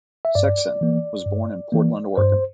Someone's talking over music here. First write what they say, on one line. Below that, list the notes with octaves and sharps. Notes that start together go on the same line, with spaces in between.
Sexson was born in Portland, Oregon.
E5
G2 D5
E3 A#3
G2
E3 A#3
G2 C5